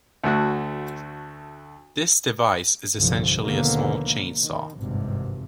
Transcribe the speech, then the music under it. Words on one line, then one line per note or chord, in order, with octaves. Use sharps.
This device is essentially a small chainsaw.
D2 A3 F#4 F#6
G1 C2 D3 F3
D#2 B2 D3 F3 A#3 B3
D#3
G#1 E2 G2 C3